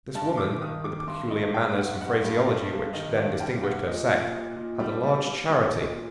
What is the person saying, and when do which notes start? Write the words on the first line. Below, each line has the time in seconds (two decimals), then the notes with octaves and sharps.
This woman, with the peculiar manners and phraseology which then distinguished her sect, had a large charity.
0.15 G2 A5
0.37 D#3 D6
0.61 D#3 D#6
0.84 D#3 D6
1.00 D6
1.08 G2 C6
1.31 G2 D#5
1.54 G2 G5
1.77 G2 F#5
2.01 G2 F#5
2.25 G2
2.47 G3
2.71 G2
2.93 D#3 D#5
3.17 G2 D5
3.40 G3 G5
3.63 G3 F#5
3.86 A#2 D#5
4.09 A#2
4.34 A#2
4.56 A#2
4.80 G3
5.03 G3
5.26 G3
5.50 G3
5.73 A#2 D#5
5.95 A#2